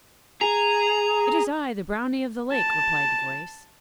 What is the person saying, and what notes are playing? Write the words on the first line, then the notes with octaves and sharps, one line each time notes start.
'It is I, the brownie of the lake,' replied the voice.
G#4 A#5
A5